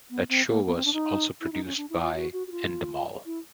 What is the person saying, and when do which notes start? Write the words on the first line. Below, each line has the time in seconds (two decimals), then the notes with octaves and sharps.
That show was also produced by Endemol.
0.10 B3
0.29 C4
0.48 A#3
0.66 B3
0.76 C4
0.85 D4
0.93 D#4
1.41 E4
1.53 D#4
1.65 C#4
1.77 D4
1.90 E4
2.02 F4
2.15 F#4
2.33 F#4
2.47 F#4
2.52 F4
3.26 E4